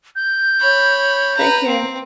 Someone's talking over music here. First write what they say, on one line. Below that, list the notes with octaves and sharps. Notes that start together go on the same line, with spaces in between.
take care.
G6
C#5 B5
B4 A#5
C4